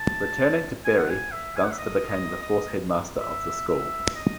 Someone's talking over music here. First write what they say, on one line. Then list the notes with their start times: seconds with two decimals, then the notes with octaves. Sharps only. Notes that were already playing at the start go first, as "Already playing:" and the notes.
Returning to Bury, Dunster became the fourth headmaster of the school.
Already playing: A5
0.85 G#5
0.97 F#5
1.10 G#5
1.31 E5
1.56 G#5
1.63 F#5
1.71 E5
1.79 D#5
2.10 D#5
2.42 D#5
3.21 E5
3.68 E5
4.15 D#5